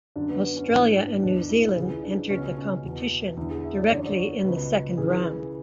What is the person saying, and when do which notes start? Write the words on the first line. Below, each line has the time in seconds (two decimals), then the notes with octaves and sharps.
Australia and New Zealand entered the competition directly in the Second Round.
0.16 F#2 D3 D4
0.29 B3
0.43 B3
0.56 C#4
0.69 G#2 E3 D4
0.96 D4
1.23 E2 B2 D4
1.50 E4
1.76 C#2 C#3 E3 G#4
2.04 D4
2.30 C#2 B2 C#4
2.57 C#4
2.84 E2 B2
3.37 E2 D3 E4
3.51 G#4
3.64 E5
3.78 D5
3.90 F#2 D3 D5
3.99 C#5
4.06 D5
4.18 C#5
4.44 C#2 B2 B4
4.98 C#2 C#3 E3 G#4